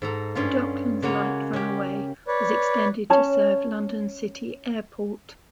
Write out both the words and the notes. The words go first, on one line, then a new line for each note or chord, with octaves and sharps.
The Docklands Light Railway was extended to serve London City Airport.
G#2 A4 A#5
G2 C#4 F4
C#3 G#3 A#3 F#4 C#5
C#4 G4
B4 C#5 D5
C#4 C#5 A5